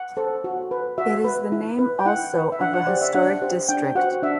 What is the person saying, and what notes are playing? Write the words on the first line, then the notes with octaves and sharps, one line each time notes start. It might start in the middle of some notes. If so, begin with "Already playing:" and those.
It is the name also of a historic district.
Already playing: F#5
A4 C5
F#4
B4
F#4 E5
B4
E4
B4
G5
E4 F#5
B4
E5
D4 F#5
F#5
G4 C5 D5
E5
D4 F#5
G4 C5
D4 G5
F#4 C5 F#5
D4 E5